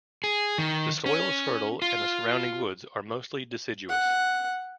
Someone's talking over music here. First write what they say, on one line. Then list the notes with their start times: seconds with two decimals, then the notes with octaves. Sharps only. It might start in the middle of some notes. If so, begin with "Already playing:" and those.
The soil is fertile and the surrounding woods are mostly deciduous.
0.24 G#4
0.58 D#3
1.06 C#4
1.82 F4
3.89 F#5